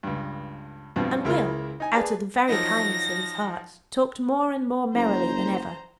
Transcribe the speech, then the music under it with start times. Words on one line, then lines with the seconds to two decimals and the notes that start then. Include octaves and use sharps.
And Will, out of the very kindness of his heart, talked more and more merrily than ever.
0.03 C#2 G2
0.96 G2 B2 F3 C4
1.25 C#2 C#3 E4 A#4
1.80 D#4 G#5
1.92 G#4 B4 D5 A5
2.49 F3 F#3 D#4 A#6
4.94 F#1 C5 A#5